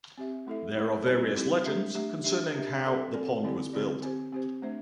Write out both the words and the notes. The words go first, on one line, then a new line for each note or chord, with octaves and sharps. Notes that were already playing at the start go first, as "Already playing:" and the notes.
There are various legends concerning how the pond was built.
C4 G4 E5
A3 E4 A4 E5
A3 E4 A4 E5
G3 C4 E4 G4
G3 C4 E4 G4
A3 D4 G4 E5
A3 D4 G4 E5
D4 G4 E5
D4 G4 E5
C4 A4 D5
C4 A4 D5
D3 C4 E4 G4 D5
D3 C4 E4 G4 D5
C4 G4 C5
C4 G4 C5
A3 D4 C5 E5